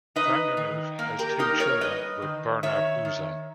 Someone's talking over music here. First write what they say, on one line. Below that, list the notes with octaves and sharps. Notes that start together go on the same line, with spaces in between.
Vandernoot has two children with Bernard Uzan.
D#4 B4 D#5
D#3
A#3
G4 A#4
D#4 G4 A#4
A#4 C#5
G3 B4 D#5
D#3
D#3 C#5 E5
D#3